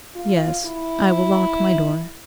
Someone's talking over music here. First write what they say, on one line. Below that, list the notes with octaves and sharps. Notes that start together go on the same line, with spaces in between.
'Yes, I will lock my door.'
F4
E4